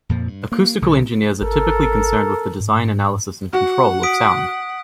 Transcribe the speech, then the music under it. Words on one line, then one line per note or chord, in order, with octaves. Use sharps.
Acoustical engineers are typically concerned with the design, analysis and control of sound.
F2 A#2 F3
G2
A#3
B1 D3
G#1 A4 A#4
G#2
F#4 F#5
D#6 B6 D7